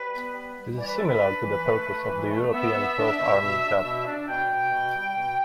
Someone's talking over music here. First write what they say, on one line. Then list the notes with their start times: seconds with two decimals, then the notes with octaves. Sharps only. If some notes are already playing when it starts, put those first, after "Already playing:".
This is similar to the purpose of the European cloth arming cap.
Already playing: G3 B4
0.12 B3
0.33 G3
0.55 G3
0.77 E3 D5
0.87 B4
0.97 D4 A4
1.06 B4
1.21 D4
1.43 E3
1.65 A3
1.87 A3
2.09 E3
2.30 A3
2.52 B3 E5
2.75 B3
2.97 D4
3.18 B2
3.40 B2
3.62 D4
3.84 B2
4.06 D4
4.28 B2 G5
4.50 B2
4.71 B2
4.94 G3
5.15 B2